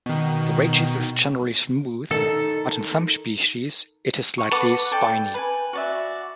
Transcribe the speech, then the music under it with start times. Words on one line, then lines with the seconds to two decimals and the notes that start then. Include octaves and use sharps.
The rachis is generally smooth, but in some species it is slightly spiny.
0.06 B2 D#3
2.11 D#3 D#4 A4
4.38 C#6
4.51 A4 B4 F#5 D6
4.92 A4 D5 G5
5.34 B4 G#5
5.73 F#4 D5 E5